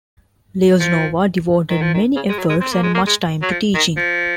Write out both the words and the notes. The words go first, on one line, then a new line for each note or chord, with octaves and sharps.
Lioznova devoted many efforts and much time to teaching.
F3
D#3
F3
D#3
C#3
G#3
F#3
G#3
C4
A#3
G#3
A#3
G#3
F#3
F3
D#3
F3